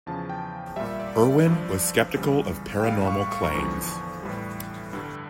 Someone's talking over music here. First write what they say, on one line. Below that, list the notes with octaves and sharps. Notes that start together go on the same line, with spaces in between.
Irwin was skeptical of paranormal claims.
E2 C#3 F3 A5
G5
A#2 G3 E5
D5
D5
G2 F3
E2 C#3 G3
G5
A2 G3 F5
C#6
C#6
A#5
E2 D3 F3 C#6
A2 E3 G3
G2 D3 G3